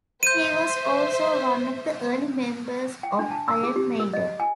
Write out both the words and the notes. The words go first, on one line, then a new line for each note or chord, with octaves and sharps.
He was also one of the early members of Iron Maiden.
C5 E5 G6 D#7
G5
D4
A5
E6
G#4
G4
A#4
D#5
G#5